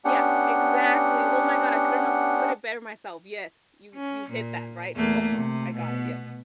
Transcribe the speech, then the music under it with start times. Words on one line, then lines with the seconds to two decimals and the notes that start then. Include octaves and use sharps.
Yeah, exactly. Oh my god, I couldn't have put it better myself, yes, you you hit that right Oh, I got it, yep.
0.05 B3 C#4 D4 G4 F#5
3.94 C#4
4.30 A#2
4.96 E2 A3 A#3
5.36 C3
5.74 B2 B3